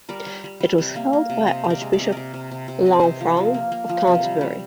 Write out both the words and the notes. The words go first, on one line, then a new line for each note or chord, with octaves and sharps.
It was held by Archbishop Lanfranc of Canterbury.
G3 A#4 D5
G3
G3
G3
C3
A#3
A#3
C3
C3 C5 D#5
C3
A#4 D5
G#3
D5
C3 D#5
C3 A#4 D5
C3
C3
C3
C3 D#5
D5
C3 C5 D#5
F3
F3
A#3
A#3
F3
C3
G3
G3